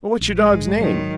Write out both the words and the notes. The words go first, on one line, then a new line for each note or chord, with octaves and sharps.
"What's your dog's name?"
A#1
G#3
G#2
D#3 F#3